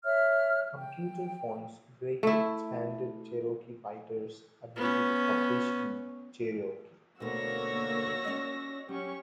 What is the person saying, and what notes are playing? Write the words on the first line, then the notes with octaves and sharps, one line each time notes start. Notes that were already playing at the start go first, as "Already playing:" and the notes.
Computer fonts greatly expanded Cherokee writers' ability to publish in Cherokee.
C#5 E5 F6
G5
A3 E4
B3 C#4
D2 B2 D3 A#3 F#4 C#5 E6 A#6
C#4 D5 D#5
F#3 C#4 G4 C#6